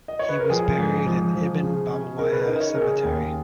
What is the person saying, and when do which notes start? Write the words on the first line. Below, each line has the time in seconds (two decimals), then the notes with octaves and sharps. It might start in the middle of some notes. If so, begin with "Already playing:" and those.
He was buried in Ibn Babawayh Cemetery.
0.08 D#5
0.19 C#5
0.29 B4
0.40 A#4
0.50 F3 G#4
0.78 G#2
1.06 F3
1.35 F3
1.63 C#3
1.90 C#4
2.18 C#3 A#4
2.32 B4
2.40 A#4
2.47 D#4
2.60 C#5
2.75 C#3 A#4
2.82 G#4
3.03 D#2